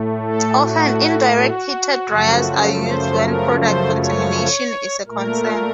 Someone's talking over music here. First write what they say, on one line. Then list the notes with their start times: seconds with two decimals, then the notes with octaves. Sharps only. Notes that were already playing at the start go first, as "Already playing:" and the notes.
Often, indirect heated dryers are used when product contamination is a concern.
Already playing: A2 A3
0.22 A4
0.61 F#4
1.34 F#4
2.09 F#2 C#3 F3 A3
2.84 C5
3.21 A#4
3.58 C5
3.96 C#5
5.07 A#2 A3 A#4